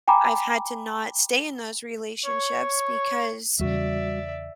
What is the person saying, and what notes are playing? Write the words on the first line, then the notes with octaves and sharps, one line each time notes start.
I've had to not stay in those relationships, because
G5 G#5 A#5 B5 D6
C#5
E2 C#3 G3 F#4 D5 E5